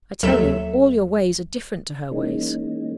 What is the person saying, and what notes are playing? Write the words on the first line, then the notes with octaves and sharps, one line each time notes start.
I tell you, all your ways are different to her ways.'
D#2 F#3 A4 E5 E7
E3 G#3 A#3 C#4 D#4